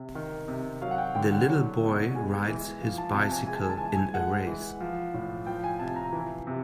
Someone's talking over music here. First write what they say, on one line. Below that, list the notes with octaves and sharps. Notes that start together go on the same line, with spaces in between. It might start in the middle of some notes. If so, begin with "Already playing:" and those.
The little boy rides his bicycle in a race.
Already playing: C3
D#3
C3
F#3 F5
F#5
G5
D3 G5
F#5
F#3
B2
G#3 G#5
E3
F3
A5
C3 A5
G#5
G#3 G#5
A5
G#5
A5
G#5
E3 A5
G#5
G#3 F#5
E3
F3
A2
F3 G5
G#5
C3 A5
A#5
E3
C3